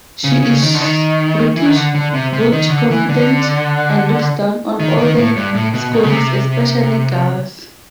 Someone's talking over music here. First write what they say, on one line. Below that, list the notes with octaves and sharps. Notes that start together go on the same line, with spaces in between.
She is British, rude, confident, and looks down on all the Scoobies, especially Giles.
C#3
C#3
D#3
D3
D#3
E3
D#3
D3
D3
C3
C3
D#3
D3
E3
D3
D#3
D#3
A2
G2
A2
B2
B2
C#3
C3